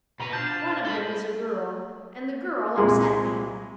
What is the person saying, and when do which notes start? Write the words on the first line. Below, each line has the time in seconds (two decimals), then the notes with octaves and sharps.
One of them is a girl, and the girl upset me.
0.20 B2 B4 A#5
0.33 D4 F4 C5 A5
0.85 A4 B5
2.77 C2 A#2 G#3 C6